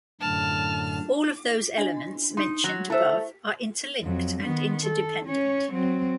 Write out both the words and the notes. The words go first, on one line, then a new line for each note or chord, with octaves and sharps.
All of those elements mentioned above are interlinked and interdependent.
F#2 A2 D3 A5 F6
D4 D#5
D#4 C6
F#3
A3 E4 C5 E5
F2 F#3
D#3 B3
A4
C#4 C#5
F#3 C4